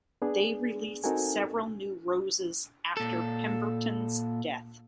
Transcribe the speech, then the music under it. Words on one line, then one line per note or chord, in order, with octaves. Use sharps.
They released several new roses after Pemberton's death.
B3 D4 G#4
C4 D#4 F#4 A4 A#4 G#5
A#2 A4